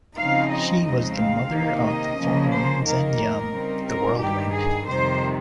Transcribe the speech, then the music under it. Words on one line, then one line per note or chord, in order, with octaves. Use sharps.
She was the mother of the Four Winds and Yum, the whirlwind.
C#3 F3 C4 D#4 F5
D#5
F2 C#3 G#3 C4 D#4 D#5
F5
C3 D#3 A#3 D#4
D#5
C#3 F3 A#3 C#4
C5
F2 D#3 A#3 D#4 A#4
C#3 G3 C4 D#4
A#4
G2 D#3 G3 G4
G#4
F2 C3 D#3 G3 C5